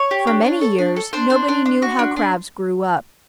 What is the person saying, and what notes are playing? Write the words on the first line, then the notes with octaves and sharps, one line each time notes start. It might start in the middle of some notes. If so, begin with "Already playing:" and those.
For many years nobody knew how Crabs grew up.
Already playing: C#5
G4
D4
D4
A4
D4
A4
D4 C5
D4
D4
D4
F#4
D4
D4